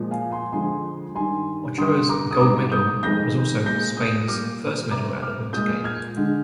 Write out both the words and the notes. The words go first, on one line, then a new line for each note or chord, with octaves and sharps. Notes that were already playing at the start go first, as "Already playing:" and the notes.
Ochoa's gold medal was also Spain's first medal at the Winter Games.
Already playing: A#2 F3 G#3
F5 G#5
G#5 C6
F2 D3 F3 G#3 G#5 C6
G2 D#3 G3 G#5 C6
G2 D3 G3 C6 D#6
A#5 D6
D#6
G#2 G3 A#5 D6
D#6 G6
F2 D#3 G#3 G6 A#6
A#2 G#3 G6 A#6
D#6 G6
A#2 G3 D6 F6
C3 G3 A#5 D6
D6 F6
A#2 G#3 D#6 G6
F6 G#6
D3 G#3